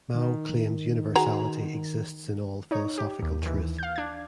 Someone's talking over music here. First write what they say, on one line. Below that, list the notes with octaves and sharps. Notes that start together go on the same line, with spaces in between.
Mou claims universality exists in all philosophical truth.
D#3
F#4 G#4 A#5
D#4 C#5
G4
D#2
D#2 E3
F5 G6
D4 G#6